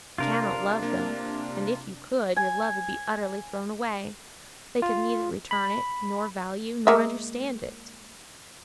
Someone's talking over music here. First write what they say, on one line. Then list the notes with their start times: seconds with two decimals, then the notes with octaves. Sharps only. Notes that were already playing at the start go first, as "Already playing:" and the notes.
You cannot love them; and if you could, your love would be utterly thrown away: they could neither return it, nor value, nor understand it.
0.18 C3 D4 F4 A#4
0.83 A#3
2.36 G#5
4.82 F4
5.51 B5
6.87 G#3 A#3 E5